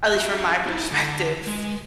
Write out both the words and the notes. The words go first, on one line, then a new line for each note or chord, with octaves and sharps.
at least from my perspective.
F#4 E5
D#4 E4
D3
G#3